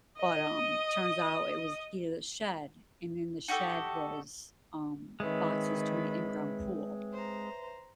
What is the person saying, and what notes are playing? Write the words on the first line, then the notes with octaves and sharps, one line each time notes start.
but, um, turns out it was a key to the shed and in the shed was, um, boxes to an in ground pool.
D#5 D#6
D#4 F#4 G4 A4
D#3 G#3 C4 B4 C#5 E5 B5
C5 A#5